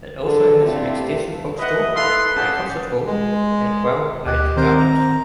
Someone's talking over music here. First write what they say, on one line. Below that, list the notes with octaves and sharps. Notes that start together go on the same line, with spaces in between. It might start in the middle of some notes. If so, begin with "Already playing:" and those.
It also has an extensive bookstore, a concert hall, and well planned gardens.
D3 G#4 A4
G2 C3 A3 E4 F4 D5
B4 D#5 E5 F#5
E4 A4 B4 F5 C6
C#4 G4 G#4 F#5 A5
G#3
D2 G4 D#5 F#6
D#3 C4 A#4 C5 G6
A#5